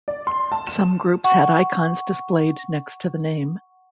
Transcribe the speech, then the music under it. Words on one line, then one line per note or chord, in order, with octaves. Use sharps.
Some groups had icons displayed next to the name.
D5
C6
A5
E7
F#5 C#6